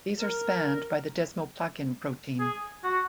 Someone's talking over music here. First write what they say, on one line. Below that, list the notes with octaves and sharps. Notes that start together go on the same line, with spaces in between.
These are spanned by the desmoplakin protein.
A#4
G#4
F#4